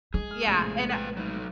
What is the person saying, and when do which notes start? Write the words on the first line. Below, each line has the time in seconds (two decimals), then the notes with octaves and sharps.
Yeah, and a
0.14 G#3 G#4
0.31 F6
0.45 A#1 A2 C3
0.90 B4 G5
1.17 F#3 D#4